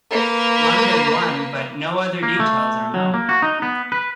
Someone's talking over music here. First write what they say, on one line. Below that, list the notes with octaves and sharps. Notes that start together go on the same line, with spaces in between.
London won but no other details are known.
A#3 B4
A#3
A3
F#3
A#3
F#4
D#4
B3
B4